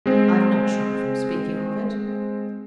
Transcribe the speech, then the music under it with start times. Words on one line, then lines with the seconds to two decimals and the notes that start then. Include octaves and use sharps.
"I've not shrunk from speaking of it."
0.06 G#3 C4